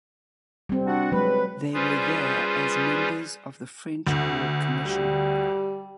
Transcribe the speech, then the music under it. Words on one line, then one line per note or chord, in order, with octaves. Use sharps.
They were there as members of the French War Commission.
G3 C4
D4 F#4 F#5
F#3 G#3 B4
G3 C#4 F4 G#4 B4 C5
D2
G3